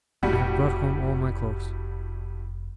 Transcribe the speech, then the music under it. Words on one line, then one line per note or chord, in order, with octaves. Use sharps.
I have brought home all my clothes.'
F1 A2 G3 F#4